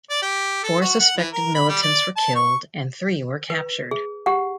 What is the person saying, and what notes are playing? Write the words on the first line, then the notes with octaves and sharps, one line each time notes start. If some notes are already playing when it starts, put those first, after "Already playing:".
Four suspected militants were killed and three were captured.
D5
G4
A4
F#4
F#5
E3
A#4
B5
G3
D5
A5
C#6
B4
G#4
G4 F#5